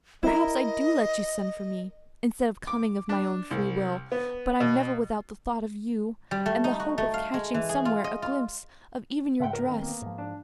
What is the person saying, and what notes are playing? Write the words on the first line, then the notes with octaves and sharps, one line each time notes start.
Perhaps I do let you send for me, instead of coming of my own free will; but I'm never without the thought of you, and the hope of catching somewhere a glimpse of even your dress.
E4 A#4 D#5
D6
D4
C2
B3
B2
G3
A3
D#4
F#4
A3
F5
G#3
E3
G#4
F4
D#5
F4
G#2 C#3 E5 F#5 G5
A#4
D#3 C4
A#3 B3
G#2 F3
D4